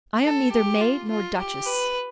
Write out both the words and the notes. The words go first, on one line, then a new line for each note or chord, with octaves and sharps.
I am neither maid nor duchess.
A4
G4
F4
F4
G4
B4